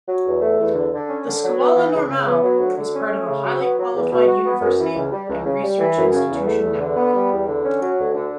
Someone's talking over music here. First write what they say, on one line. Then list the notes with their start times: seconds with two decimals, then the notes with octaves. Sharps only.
The Scuola Normale is part of a highly qualified university and research institution network.
0.08 F#3
0.25 E2
0.41 A3
0.58 E2
0.75 D3
0.93 D3
1.09 C#4
1.26 D3
1.43 F#3
1.60 B3
1.76 E3
1.94 C#2
2.09 C#3
2.26 B3
2.43 F#3
2.60 D2
2.77 D3
2.94 C#4
3.10 A3
3.27 C#3
3.44 F#3
3.61 B3
3.78 F#3
3.95 E2
4.12 B2
4.28 F#4
4.45 B3
4.62 F#2
4.79 E3
4.95 C#2
5.12 G3
5.29 C#2
5.46 C#3
5.63 G3
5.79 E3
5.96 F#2
6.13 C#3
6.30 E2
6.47 A3
6.63 E2
6.80 D3
6.97 B3
7.14 G3
7.31 E2
7.47 D3
7.64 C#4
7.81 F#3
7.98 D2
8.15 D3